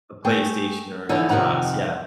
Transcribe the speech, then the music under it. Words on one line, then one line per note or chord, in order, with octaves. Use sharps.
A PlayStation or an Xbox, yeah.
A3 G#4 G5
D3 E3 D#4 C#5
F2 C3 D#3 F#5 A#5